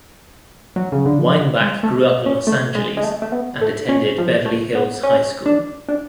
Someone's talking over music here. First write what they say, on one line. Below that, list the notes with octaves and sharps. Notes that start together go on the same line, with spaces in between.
Weinbach grew up in Los Angeles and attended Beverly Hills High School.
F#3
C#3
D3
F3
G#3
A3
C#4
A3
G#3
G#3
A3
A3
B3
A3
C#4
F3
A3
B3
C#4
D4
D4